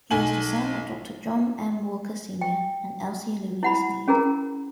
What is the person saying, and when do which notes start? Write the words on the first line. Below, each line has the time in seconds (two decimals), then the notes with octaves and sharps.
He is the son of Doctor John M. Walker Senior and Elsie Louise Mead.
0.11 B1 G#5 F#7
2.41 G5
3.63 E4 F#5 B5
4.08 C#4 G#4 A#4 A#5